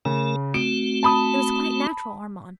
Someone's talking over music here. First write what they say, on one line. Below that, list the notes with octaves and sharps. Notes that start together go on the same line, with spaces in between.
It was quite natural, Armand.
C#3 A3 A#4
A3 C4 F#4 D7
A5 B5 D#6